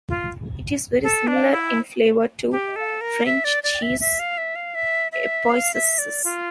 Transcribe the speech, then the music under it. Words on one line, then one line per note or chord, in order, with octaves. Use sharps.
It is very similar in flavor to the French cheese Epoisses.
F4
A4
D4
E4
G4
A4
A#4
E5
D5
D5
E5
E5
F5
E5
F5
E5
E5
F5
E5
D5
F4